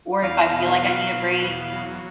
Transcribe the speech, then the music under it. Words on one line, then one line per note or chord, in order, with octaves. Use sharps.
or if I feel like I need a break,
E2 F5
B2
F#3
B2
E2
F#3